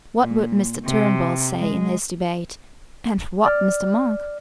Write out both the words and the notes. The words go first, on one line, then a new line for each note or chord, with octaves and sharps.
What would Mr. Turnbull say in this debate,--and what Mr. Monk?
A#2
C3
G#3
D5 F6